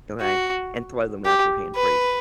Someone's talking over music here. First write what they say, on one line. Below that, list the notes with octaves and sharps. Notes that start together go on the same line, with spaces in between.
Okay? And throw them without your hand freezing.
F#4
G4
B4